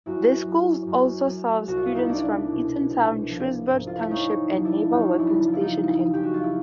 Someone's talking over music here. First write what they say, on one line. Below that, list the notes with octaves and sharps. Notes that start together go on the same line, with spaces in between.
The school also serves students from Eatontown, Shrewsbury Township and Naval Weapons Station Earle.
F#2 E4 F#4
F#2
F#2
F#2
C2 F#4
F4
E4
D#4 F4
C2 D4 E4
B2
C2
F3
G#2
F4
E4
F3 C#4 D#4
F3
D4 E4
F#2 C#4 D#4
D4 E4
C#3
F4
E4
D#4 F4
F3
F#2 G4
F#4
F4
E4